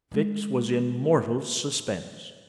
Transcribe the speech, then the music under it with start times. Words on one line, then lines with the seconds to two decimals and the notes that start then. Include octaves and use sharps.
Fix was in mortal suspense.
0.11 D#3 G#3